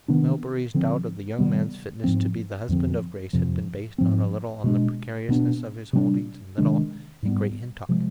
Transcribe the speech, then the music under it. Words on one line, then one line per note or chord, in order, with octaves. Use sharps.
Melbury's doubt of the young man's fitness to be the husband of Grace had been based not a little on the precariousness of his holdings in Little and Great Hintock.
C3 D#3 B3 D4
D3 F3 C4
C3 D#3 G3 B3
G#2 F3 C4
F2 D3 F3 C4
F2 C3 F3
G#2 F3 C4
B2 G#3 D4
B2 B3 D4
C3 G3 B3 D4
C3 D#3 G#3 D4
G#2 G3 B3
C3 F3 G#3